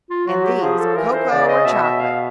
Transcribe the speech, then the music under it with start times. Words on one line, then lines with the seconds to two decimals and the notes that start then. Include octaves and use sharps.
And these,--cocoa or chocolate.
0.10 F4
0.27 F#3 F#4
0.45 G4
0.62 F3 G#4
0.79 A4
0.96 E3 A#4
1.13 C5
1.31 C#3 D5
1.47 D#5
1.65 B2 E5
1.82 E5
2.00 F5